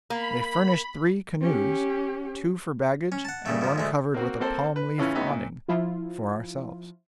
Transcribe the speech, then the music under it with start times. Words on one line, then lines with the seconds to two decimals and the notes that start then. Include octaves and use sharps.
They furnished three canoes, two for baggage and one covered with a palm-leaf awning for ourselves.
0.10 A#3 B5
1.41 C#4 G4
3.12 C#4
3.25 F#5 A5
3.46 G2 C#3 A3
3.61 B2 F3
3.76 D2 G#3 A3
4.14 A#3 C4 F#4
4.40 A#3 C4 A4 C5
4.76 B4
4.98 A2 C#3 E3 C#4 E4 F4
5.15 A3 B3 C#4 D#4 G4 E5
5.27 A#2
5.68 F3 E4 F4